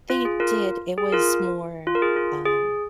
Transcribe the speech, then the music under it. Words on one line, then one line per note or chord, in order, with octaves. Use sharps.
They did, it was more, um
F4
G#4
F4 A#4
G#4
F4 A#4
F4
A#4
G#4
F4
G#4